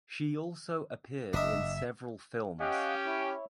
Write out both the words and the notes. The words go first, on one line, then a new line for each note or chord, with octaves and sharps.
She also appeared in several films.
F#1 D4 D#5 E5
C#4 G4 D#5 F5 F#5
E4 C#5